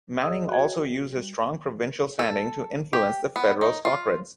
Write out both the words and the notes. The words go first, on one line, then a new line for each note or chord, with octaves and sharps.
Manning also used his strong provincial standing to influence the federal Socreds.
G#4 D5 D#5 D#6 E6
F#4 B4 C#5 E5 G5 G#6
G3
A4
G4
B3
D#4
F4